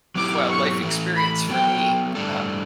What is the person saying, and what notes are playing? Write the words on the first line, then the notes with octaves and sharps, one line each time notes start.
well, life experience for me. Um
F#3 B3 E4 G4 D6
C#6
A2 E3 A3
B5
F#3 B3 F#4 A4 G5
A2 G3 D4 A4